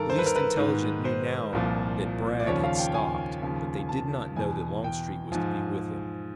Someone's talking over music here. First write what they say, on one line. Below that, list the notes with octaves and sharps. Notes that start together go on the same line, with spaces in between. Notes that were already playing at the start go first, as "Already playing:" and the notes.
The least intelligent knew now that Bragg had stopped, but they did not know that Longstreet was to be with him.
Already playing: G2 D#3 A4 A#4
C5
B4
A#4
B4
G#2 D#3
C5
C2 A#2 F3
D5
D#2 C#3 F3 C#5
F5
G5
G#5
D#2 C#3 F3
A5
E2 B2 G#5
G5
G#2 F3 G#5